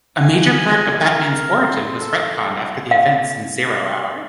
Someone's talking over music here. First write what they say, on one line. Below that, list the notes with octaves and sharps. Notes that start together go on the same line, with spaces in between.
A major part of Batman's origin was retconned after the events in "Zero Hour".
G#5
A#4
C6
A4
F5